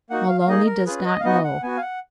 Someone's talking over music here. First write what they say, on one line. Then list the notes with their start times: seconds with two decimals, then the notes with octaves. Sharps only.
Maloney does not know.
0.10 A#3 D#4 F#4 F#5
0.29 F5
0.40 F5
0.48 A#3 D#4 G#4 D#5
0.67 A#4
0.86 C#4 F4 G#4 B4
1.05 D#5
1.20 F5
1.24 B3 D#4 F#4 D#5
1.44 F#5
1.63 B3 F#4 G#5
1.77 F5
1.82 F#5